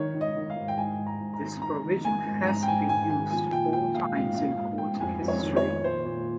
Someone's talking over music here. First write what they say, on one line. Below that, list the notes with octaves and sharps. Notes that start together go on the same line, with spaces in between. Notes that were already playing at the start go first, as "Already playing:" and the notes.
This provision has been used four times in Court history.
Already playing: D#3 C#5
D#3
D#5
D#3
F5
G#2
G5
G#2 G#5
G#2
A#5
G#2
A#5
D#3
D#3 A#5
D#3
D#3 G#5
G#2
G#2 A#5
G5
G#2 G#5
G#2 G#5
D#3 G#5
F3 G#5
A#2 G5
F3 G5
A#2 F5
G#2 F5
G#2 F5
G#2 F5
G#2 G5
F2 G#5
F2
C#5
D#3
C#5
D#3
A#2 C5
A#2